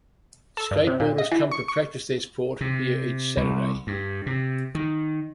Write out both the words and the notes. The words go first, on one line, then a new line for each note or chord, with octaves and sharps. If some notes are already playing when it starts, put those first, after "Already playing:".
Skateboarders come to practice their sport here each Saturday.
A4
G2
C3
A#2
D#5
E3
C#6
C#6
C3
C2
G2
C3
D#3